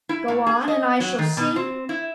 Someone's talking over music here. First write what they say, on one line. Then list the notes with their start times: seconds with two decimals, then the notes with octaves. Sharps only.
Go on, and I shall see?
0.09 E4
0.28 A2
0.46 G#4
0.68 D#5
1.00 F#3
1.19 D#3
1.37 B2
1.56 C4
1.89 E4